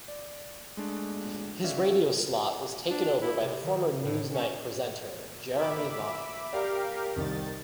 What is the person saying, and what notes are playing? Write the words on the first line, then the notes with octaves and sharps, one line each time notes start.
His radio slot was taken over by the former "Newsnight" presenter, Jeremy Vine.
D5
G#3 A3 D4
C#4 F#4 D5 E5 F5
D4
E4
C3
D#3
A2
C#4
A#4 E5 B5 D6
G4 A#4 D5 F5
C2 C3 D#3 A6